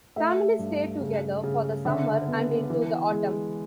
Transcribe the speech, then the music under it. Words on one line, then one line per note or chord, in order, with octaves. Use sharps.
Families stay together for the summer and into the autumn.
A3 E5
G2
C#3
C#3
D3 E5
B3
E3
G#3